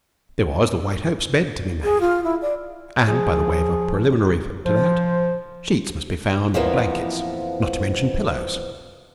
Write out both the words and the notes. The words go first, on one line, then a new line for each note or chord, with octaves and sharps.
There was the White Hope's bed to be made, and, by the way of a preliminary to that, sheets must be found and blankets, not to mention pillows.
G#4
F4
E4
D5
F3 G#4
F3 C5
F2 E3 F3 A#3 B3